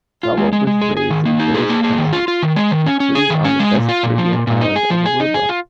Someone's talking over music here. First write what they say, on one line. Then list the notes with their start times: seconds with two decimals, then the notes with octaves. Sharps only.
Thelma was raised in various countries, including on the Dutch-Caribbean island of Aruba.
0.23 F4
0.37 G#3
0.53 G#3
0.67 G#3
0.82 G#4
0.97 G#4
1.10 D#3
1.26 A#3
1.39 D#4
1.55 G#4
1.69 A#3
1.84 G#4
1.98 D#3
2.13 F4
2.28 F4
2.42 D#3
2.56 G#3
2.71 D#3
2.86 C#4
3.00 C#4
3.15 G#4
3.30 D#3
3.45 C#4
3.60 G#3
3.74 A#2
3.89 F4
4.03 A#2
4.18 F3
4.32 A#2
4.47 A#2
4.61 D#4
4.76 G#4
4.90 F3
5.06 G#4
5.20 D#4
5.34 G#4
5.49 F4